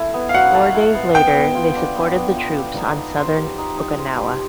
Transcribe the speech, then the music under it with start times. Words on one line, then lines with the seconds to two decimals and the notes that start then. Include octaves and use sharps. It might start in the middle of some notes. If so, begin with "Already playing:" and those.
Four days later, they supported the troops on southern Okinawa.
Already playing: E4 A4
0.14 B3
0.29 F5
0.34 F#3 F#5
0.54 A4
0.74 E4
0.95 B3
1.15 B3 G5
1.35 B3
1.55 F4
1.76 D4
1.96 B3
2.16 B3
2.36 F4
2.57 D4
2.77 D#4
2.97 D#4
3.17 C5
3.37 G4
3.58 D#4
3.78 D#4
3.98 C5
4.18 G4